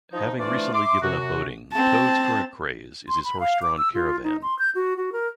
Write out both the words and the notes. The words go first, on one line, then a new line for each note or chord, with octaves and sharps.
Having recently given up boating, Toad's current craze is his horse-drawn caravan.
F3 D#4
C3 E3 A3 D4 F4 D5
E5 C6 D6
F#2 C3 F#4
C4 A5
C6
B5
F5
D6
E6
F4
D#4
C6
G6
F#4
F#4
A#4